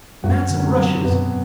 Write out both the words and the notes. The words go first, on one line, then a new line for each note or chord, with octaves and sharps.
Mats of rushes.
F#2 F#3 F#4
D3
C#4
C3 C4
F#3
F#2 B2 B3